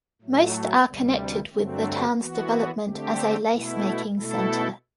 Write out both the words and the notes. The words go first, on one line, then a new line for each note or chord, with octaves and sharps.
Most are connected with the town's development as a lace-making centre.
A2 F#3 A3
D2 C3 G3
G2 D3 F#3 A3 C4
E3 B3 F#4
D3 A3 C4 G4
B2 A3 E4
B2 A3 E4 A4